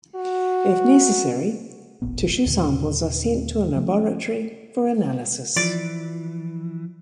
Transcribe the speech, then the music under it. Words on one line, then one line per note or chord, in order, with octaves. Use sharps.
If necessary, tissue samples are sent to a laboratory for analysis.
F#4
E1 A1 A#2 B3
D#2 A#2 D3 D#3
F3 A3 C#4
E3 F3 D5